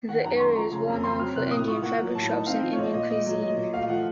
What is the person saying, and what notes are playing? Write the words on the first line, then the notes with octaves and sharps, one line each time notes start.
The area is well known for Indian fabric shops and Indian cuisine.
D#3 F#5
F#2 A#5
C#6
A3 C6
F3 A#5
C#3
F2 A#5
C4 C6
F#3 F6
C3 F#6
A2 D#6
F4 C#6
A#3 F#5
F#3
A2 A5
D#4
C4 F5
F3
C#5
A#2 D#5
A#2 D#5
A3 D#5
F#3
A#2 D#5
A#2
A3 F5
F3 F#5